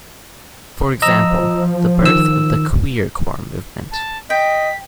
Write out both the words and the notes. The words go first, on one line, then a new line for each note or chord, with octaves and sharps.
For example, the birth of the Queercore movement.
F3 D#5 A#5 E6
D#3 E6
A5
D#5 G5 B6